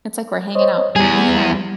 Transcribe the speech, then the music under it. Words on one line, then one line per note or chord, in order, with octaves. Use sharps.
It's like we're hanging out, yeah.
C5 C#5 D#5
E2 G3 G#4